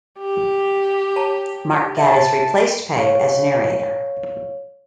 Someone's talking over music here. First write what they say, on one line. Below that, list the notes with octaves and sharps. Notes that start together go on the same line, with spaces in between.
Mark Gatiss replaced Pegg as narrator.
G4
C#5 A5 A#5
E5 A5
C#5 F5